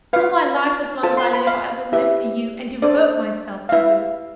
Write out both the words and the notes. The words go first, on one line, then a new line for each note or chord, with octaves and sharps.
All my life, as long as I live, I will live for you, and devote myself to you.
F4 B4 F5
F4 A4 C5 A5
C6
B5
F5
E4 G4 B4 E5
D4 A4 C5 D5
F5
E4 B4 E5